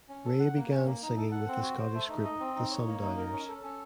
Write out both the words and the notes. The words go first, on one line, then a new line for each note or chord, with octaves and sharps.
Ray began singing with the Scottish Group the Sundowners.
C#4
A4
F#5
A#3
C#4
A#3
D#4
A4
F#5
C4
F#4
C5
A3
D#4
D#5
C4
D#4
C#5
A#3
D#4
A#4
C#4
A4
C#4